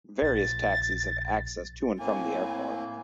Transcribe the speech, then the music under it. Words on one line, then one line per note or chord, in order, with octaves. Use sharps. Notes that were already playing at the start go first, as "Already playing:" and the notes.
Various taxis have access to and from the airport.
A#1 A6
A2 A#3 C4 G#5